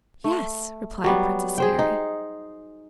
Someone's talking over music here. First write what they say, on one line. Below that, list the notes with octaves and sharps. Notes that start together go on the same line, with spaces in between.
"Yes," replied Princess Mary.
A3
F#3 G3 B3
G#4 C5 G5
D#4